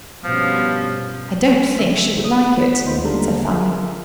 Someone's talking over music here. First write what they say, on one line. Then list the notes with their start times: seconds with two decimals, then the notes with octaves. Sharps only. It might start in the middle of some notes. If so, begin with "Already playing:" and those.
"I don't think she would like it," said Fanny.
0.24 G2 B2 F3 C#4
1.77 D3 E5 B6
2.24 D#6
2.61 B6
2.86 D#2 A3 B3 D#4 F4 C5
3.03 D3 G3 G#3 A#3 A4 A#4
3.50 F4 G#4 A#4 E5 F5